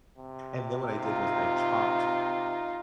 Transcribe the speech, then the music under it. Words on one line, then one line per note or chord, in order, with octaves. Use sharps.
And then what I did was I chopped
C3
D#4 F4